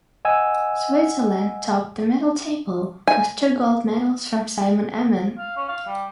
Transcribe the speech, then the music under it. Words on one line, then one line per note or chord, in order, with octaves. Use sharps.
Switzerland topped the medal table, with two gold medals from Simon Amman.
D#5 F#5 G#5 E6
G#5
F5
C#4
F5
G3